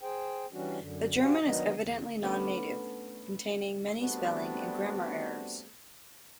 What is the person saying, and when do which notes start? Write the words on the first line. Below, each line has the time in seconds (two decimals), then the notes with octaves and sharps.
The German is evidently non-native, containing many spelling and grammar errors.
0.01 G#4 C5 G5
0.53 E3 G3 C#4 D4 F#4
0.79 F#2 D3
1.21 F#4 G4 C5 F5 G#5
1.44 D#3 F#3 B3 D4 D#4 D#5
1.79 E2
2.22 A3 B3 C#4 D4
3.99 G3 A3 B3 C4 D4 F#4